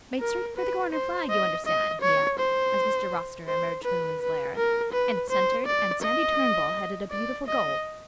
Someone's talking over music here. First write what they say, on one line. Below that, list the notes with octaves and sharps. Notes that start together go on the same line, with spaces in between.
Made straight for the corner flag, you understand,' he added, as Mr Rossiter emerged from his lair, 'and centred, and Sandy Turnbull headed a beautiful goal.
A#4
B4
C5
D#5
D#5
C#5
C5
C5
B4
B4
A#4
B4
C5
D5
D#5
D5
D#5